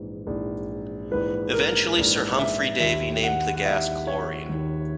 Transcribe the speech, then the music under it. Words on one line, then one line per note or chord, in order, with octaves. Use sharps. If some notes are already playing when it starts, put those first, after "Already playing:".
Eventually, Sir Humphry Davy named the gas chlorine.
Already playing: A#1 G#2 E3
A#1 G#2 E3
A#1 G#2 E3 B4
A#4
A#1 G#2 E3
E5
D#2 D#3 E5
F#5
F#5
D#2 D#3 E5
C#5
D#2 D#3